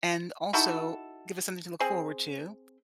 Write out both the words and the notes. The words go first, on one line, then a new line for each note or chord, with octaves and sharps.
and also give us something to look forward to
D#4 E4 F#4 A4
C4 G#4